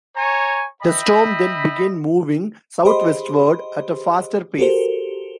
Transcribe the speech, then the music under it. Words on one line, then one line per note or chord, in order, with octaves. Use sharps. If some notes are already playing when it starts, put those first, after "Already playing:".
The storm then began moving southwestward at a faster pace.
C#5 G#5 A#5 C#6
D#5 E5 G5 B5
G4 G#4 C5 D#5 B5 C6
F#4 G4 A4 A#4 C5